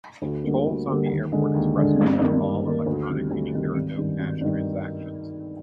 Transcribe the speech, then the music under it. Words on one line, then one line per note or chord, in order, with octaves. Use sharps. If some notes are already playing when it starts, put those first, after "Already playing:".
Tolls on the Airport Expressway are all electronic, meaning there are no cash transactions.
D2
D3 G3 A#3
D2
D3 G3 A#3
D#2
D3 G#3 D4
D#2
D3 G#3 D4
G2
D#3 A#3
G2
D#3 A#3
D2
C3 D#3 G3
D2
C3 D#3 G3
G#1
G2 D#3
G#1
G2 D#3